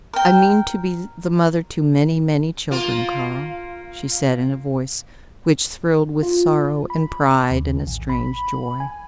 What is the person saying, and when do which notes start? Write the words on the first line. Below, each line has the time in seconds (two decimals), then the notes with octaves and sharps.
"I mean to be the mother to many, many children, Karl," she said in a voice which thrilled with sorrow and pride and a strange joy.
0.13 A#4 G5
2.71 A#3 F4
6.23 F4
6.90 B5
7.50 D#2
7.87 A1
8.09 B5
8.80 G#5